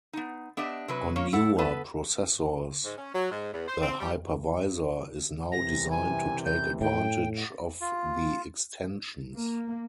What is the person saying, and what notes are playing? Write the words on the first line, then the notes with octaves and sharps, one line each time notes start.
On newer processors, the hypervisor is now designed to take advantage of the extensions.
B3 D#4
B3 D4 G4 D#5 E5
C3 F#3 B4
A#3 C#4 C#5
E4 A4 F#5
B3 A4 B4
G#2
C#4
F#3
G#2
E2
C5
C4
G3
C2 C3 E3 A#6
G#5
G6
A2 G5
F4
A#3